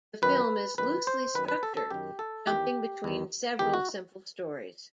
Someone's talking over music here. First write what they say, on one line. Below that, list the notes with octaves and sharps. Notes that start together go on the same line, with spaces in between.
The film is loosely structured, jumping between several simple stories.
F#2 D#3 B4
F#2 D#3 B4
C5
F#2 D#3 B4
B4
A4
A4
F#2 D#3 G4
A4
E2 D#3 G4
E2 D#3
E2 D#3 G4
F#4